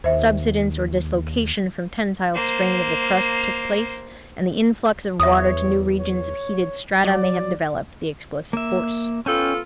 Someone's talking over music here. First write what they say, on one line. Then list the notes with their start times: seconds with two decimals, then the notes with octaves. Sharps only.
Subsidence or dislocation from tensile strain of the crust took place, and the influx of water to new regions of heated strata may have developed the explosive force.
0.04 D#2 C5 E5
2.35 A#3 C5
5.20 E2 C#5 E5 D#6
6.00 C#5
7.04 F#3 D5
8.53 A#3 E5
9.26 B3 C#4 F4 A4 G5